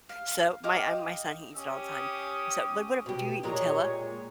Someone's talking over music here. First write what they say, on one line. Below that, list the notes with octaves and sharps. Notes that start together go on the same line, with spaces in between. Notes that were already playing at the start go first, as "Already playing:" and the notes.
So, my I my son, he eats it all the time. So, but what ab do you eat Nutella?
F5
D#5 F5 G5 D6
C#4 G4 D#6
B2 G4
A#2 G#3 G4 C#5 A#5